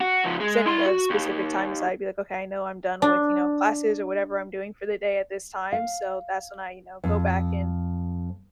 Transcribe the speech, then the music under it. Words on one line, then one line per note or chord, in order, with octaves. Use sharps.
setting a specific time aside. Be like, "Okay. I know I'm done with," you know, "classes or whatever I'm doing for the day at this time." So, that's when I, you know, go back and
F#4
C#3 F3
G#3
E4 C6
F#4
D#2
D4
F5
F2